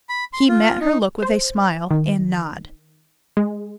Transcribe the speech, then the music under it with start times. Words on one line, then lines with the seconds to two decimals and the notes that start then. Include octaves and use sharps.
He met her look with a smile and nod.
0.09 B5
0.33 C6
0.49 F4
0.81 D#4
1.22 C5
1.91 D#3
3.37 G#3